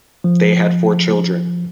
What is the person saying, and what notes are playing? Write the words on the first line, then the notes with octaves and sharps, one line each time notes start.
They had four children.
F3